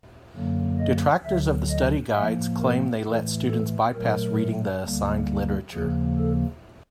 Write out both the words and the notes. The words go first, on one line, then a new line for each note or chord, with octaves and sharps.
Detractors of the study guides claim they let students bypass reading the assigned literature.
F#2 D3 F#3 A#3
D#5
D2 D3 F#3 E5
D#5
A2 F3 A#3 E5
A#4
A2 E3 A3 A4
A4
A#2 F#3 A3 A#4
D2 D3 G3 A#3
D#2 C#3 F3 A#3 G#4
A4